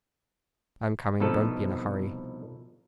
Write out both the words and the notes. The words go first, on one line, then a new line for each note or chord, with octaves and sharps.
I'm coming; don't be in a hurry.
C2 B2 F3 D#4 A4 B4